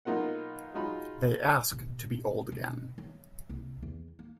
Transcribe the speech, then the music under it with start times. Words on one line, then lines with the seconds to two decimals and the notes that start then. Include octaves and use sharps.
They ask to be old again.
0.05 B1 A#3 D#4 F4 A#4 F#5
0.74 F#3 G#3 D#4 F4 B5
1.71 A1 B2
2.52 B2
2.98 F#3 B3
3.49 C2
3.82 E2
4.19 A#3